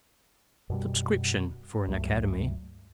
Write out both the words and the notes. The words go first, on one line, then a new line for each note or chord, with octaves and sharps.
Subscription for an Academy.
F#2 B2 G3
C#2 G2 F#3 A3